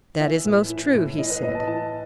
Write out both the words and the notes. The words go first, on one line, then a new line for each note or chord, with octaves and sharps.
That is most true, he said.
E3 E5
A2
E3
A2
E3 D#5
B4
A2 D#5
A5
E3 A5